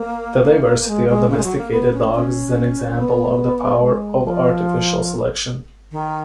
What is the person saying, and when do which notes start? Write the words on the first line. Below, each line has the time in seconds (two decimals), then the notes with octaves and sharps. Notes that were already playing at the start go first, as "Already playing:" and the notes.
The diversity of domesticated dogs is an example of the power of artificial selection.
Already playing: A#3
0.88 G#3
1.09 G#3
1.30 C#3
1.37 G#3
1.44 F#3
1.57 A#3
1.71 B3
1.93 C#4
2.14 C#4
2.98 B3
3.82 G#3
4.23 F3
5.92 D#3